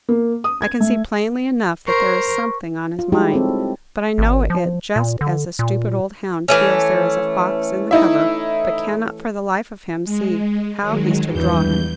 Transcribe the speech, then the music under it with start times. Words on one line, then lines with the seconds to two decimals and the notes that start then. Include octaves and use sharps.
I can see plainly enough that there is something on his mind; but I know it just as a stupid old hound feels there is a fox in the cover, but cannot for the life of him see how he's to "draw" him.
0.09 A#3
0.44 D#6
0.62 G#6
0.80 A3
1.87 A#4 C5 C#6
2.99 F4
3.12 G3 G#3 D#4 E4 F#4 G4
3.32 C4 A4 C#5
4.18 G#1
4.50 F3
4.96 A#2
5.21 D3
5.59 A#2
6.48 E3 A3 C#4
7.91 D#4 E4 E5
10.05 G#3
10.81 D#3 F#3 G#3
11.31 E2 G2 E3 G6